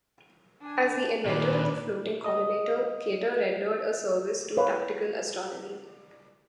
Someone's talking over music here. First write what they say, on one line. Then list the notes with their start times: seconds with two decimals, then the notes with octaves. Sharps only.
As the inventor of the floating collimator, Kater rendered a service to practical astronomy.
0.62 D4 G#5
1.26 A#2 D#3 B4 D5
2.24 D#5 D#6
4.57 B4 C#5 F5